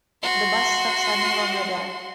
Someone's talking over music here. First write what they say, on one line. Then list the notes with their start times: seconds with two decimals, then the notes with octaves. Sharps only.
The bus stops are no longer there.
0.23 F#4 C6